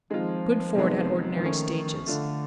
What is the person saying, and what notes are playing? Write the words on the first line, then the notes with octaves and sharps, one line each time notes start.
Good ford at ordinary stages.
D#3 F3 G#3 C4 F4
C3 D#3 G#3 B3
E3
D#3 F3 A3 C#4
D3 A3 D4 F4